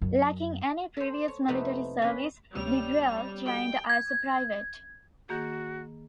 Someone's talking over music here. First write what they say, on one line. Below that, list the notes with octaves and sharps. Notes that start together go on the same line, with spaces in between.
Lacking any previous military service Degrelle joined as a private.
F#2
A4 C5
C#5
F2 C3 A3 B3 D#4 E4
C#4 B4
D2 C3 G3 B3 C#4 C#5 E6 F7
F#4 A4 D#5 G5
G#6
D#3 A#3 F#4 G#4